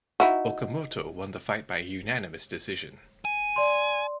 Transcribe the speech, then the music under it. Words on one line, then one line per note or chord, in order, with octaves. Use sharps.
Okamoto won the fight by unanimous decision.
D#4 E4 F#4
G#5
D5 C6